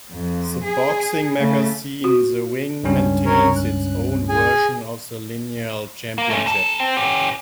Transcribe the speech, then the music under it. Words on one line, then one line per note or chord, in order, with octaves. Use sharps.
The boxing magazine "The Ring" maintains its own version of the lineal championship.
F2
G#4
C#3 A3
F#4
C#2 G2 C#4
A#4 C#5
F#6
G#4 G#5
A#3
A3 C#4
E2 A4
C4
C#4 G4